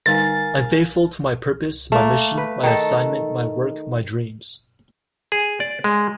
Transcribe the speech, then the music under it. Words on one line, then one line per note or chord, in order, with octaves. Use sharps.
I'm faithful to my purpose, my mission, my assignment, my work, my dreams.
D3 G3 D#4 A#4 F5 G#5 A6
A3 A#3
B4
D#3 A4
G#4
D5
G#3